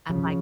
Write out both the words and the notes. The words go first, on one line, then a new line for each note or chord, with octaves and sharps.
I'm, like
C#3 F3